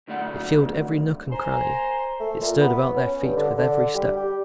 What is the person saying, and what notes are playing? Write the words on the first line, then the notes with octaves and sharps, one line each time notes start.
It filled every nook and cranny; it stirred about their feet with every step.
B1 D3 A3 D5 F#5
C5 G#5 A#5
A3
A#2
B3
C#4
G2
D3
D3
G3
G4